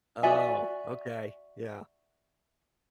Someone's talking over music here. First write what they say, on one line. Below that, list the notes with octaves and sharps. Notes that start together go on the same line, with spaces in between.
Oh, okay, yeah.
F#4 D5 E5 G#5